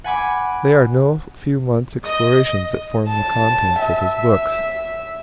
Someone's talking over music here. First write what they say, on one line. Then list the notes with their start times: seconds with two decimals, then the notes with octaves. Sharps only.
They are no few months' explorations that form the contents of his books.
0.04 F#5 G#5 B5 D6
2.05 D#5
3.09 A5
3.81 E5